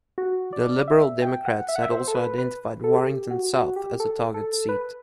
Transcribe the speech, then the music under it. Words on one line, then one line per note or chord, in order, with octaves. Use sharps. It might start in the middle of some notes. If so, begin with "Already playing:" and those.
The Liberal Democrats had also identified Warrington South as a target seat.
F#4
D5
E5
G5
F#5
E5
F#5
E5
C5
A4
B4
B4
A4
G4
F#4
F#4
G4
A4
A4
B4